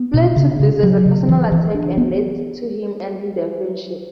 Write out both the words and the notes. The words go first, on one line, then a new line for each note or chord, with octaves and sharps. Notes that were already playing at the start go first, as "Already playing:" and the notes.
Flair took this as a personal attack and lead to him ending their friendship.
Already playing: B3
B2
C#3
C#3
F#3
C#3
E3
E3
D4
B3